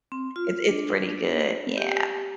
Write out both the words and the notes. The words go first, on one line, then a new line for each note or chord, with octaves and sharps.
it's it's pretty good. Yeah,
C4
F4
D4
G4